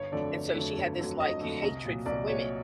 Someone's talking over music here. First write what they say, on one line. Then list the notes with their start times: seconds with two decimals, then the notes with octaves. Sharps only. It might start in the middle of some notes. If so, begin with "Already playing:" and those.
and so she had this, like, hatred for women,
Already playing: G1 C#5
0.12 F2 D3 F#3 A3 D5
0.33 G1
0.54 F2 D3 F#3 A3
0.77 G1
0.99 F2 D3 F#3 A3
1.19 G1 D#5
1.41 F2 D3 F#3 A3
1.63 C2
1.85 A#2
1.90 F#3
2.06 C2 D5
2.28 A#2 F#3 C#5